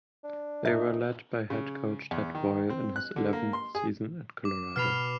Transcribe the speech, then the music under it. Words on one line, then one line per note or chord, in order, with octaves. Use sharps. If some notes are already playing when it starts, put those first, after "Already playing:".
They were led by head coach Tad Boyle in his eleventh season at Colorado.
D4
B1 A#2 D#4 E5
C#3
E2
D#3
C4
F#6
D3
A#3
C6
G#4
D6
B2 B5 F6 C7 F7